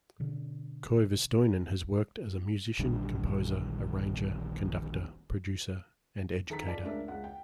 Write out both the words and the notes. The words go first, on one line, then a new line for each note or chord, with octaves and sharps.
Koivistoinen has worked as a musician, composer, arranger, conductor, producer and educator.
B2 D3
D#1 A#1 D3 G3
D#3 A4 A#5 B6
F4 A4 D5 A5
C#2 A3 D4 A#4 E5
C#2 F#5
G5